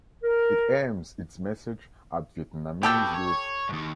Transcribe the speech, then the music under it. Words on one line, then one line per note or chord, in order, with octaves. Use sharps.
It aims its message at Vietnamese youth.
A#4
B2 G4 A4 G5
C#5
D#2 G#2